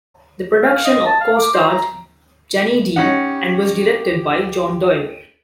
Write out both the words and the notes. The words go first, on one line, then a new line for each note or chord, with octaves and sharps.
The production co-starred Janie Dee and was directed by John Doyle.
F5
D#5
A5
F5
D6
C5
A#5
C#4 D#4 G4 F#5